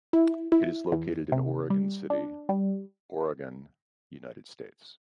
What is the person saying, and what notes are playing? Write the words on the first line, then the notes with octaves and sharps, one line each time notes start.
It is located in Oregon City, Oregon, United States.
E4
E4
E2
C3
G3
D4
G3